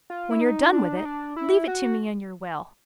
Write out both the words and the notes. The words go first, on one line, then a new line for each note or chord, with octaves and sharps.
When you're done with it, leave it to me in your will.
F4
E4
D#4
D4
D#4
D4
E4
F#4